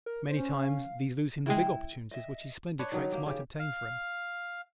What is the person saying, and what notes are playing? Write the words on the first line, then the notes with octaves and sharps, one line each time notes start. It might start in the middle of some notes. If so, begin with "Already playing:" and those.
Many times these lose him the big opportunities which his splendid traits might obtain for him.
A#4
C#4 C5
F5
C#3 G#3 E4 G5
D#5 E5
D4 B4 C#5
D#3 F#3 D#4
A#3 G4
C#3 G4
F5